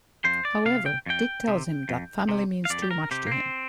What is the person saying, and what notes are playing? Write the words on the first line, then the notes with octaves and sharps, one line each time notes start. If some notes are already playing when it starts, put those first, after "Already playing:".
However, Dick tells him that family means too much to him.
F2 C5
D5
C3 F5
G5
F2 G5
C3
F2
C3
F5
F2 D5
G4
A#4
C3 G4
A#3
C4